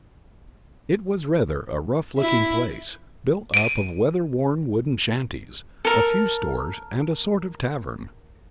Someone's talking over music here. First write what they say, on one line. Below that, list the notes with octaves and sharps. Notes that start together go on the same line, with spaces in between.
It was rather a rough-looking place, built up of weather-worn wooden shanties, a few stores, and a sort of tavern.
E4
D7 D#7
A4 A#4